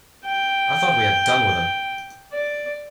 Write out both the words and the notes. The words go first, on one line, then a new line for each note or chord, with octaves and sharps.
I thought we had done with him.
G5
D5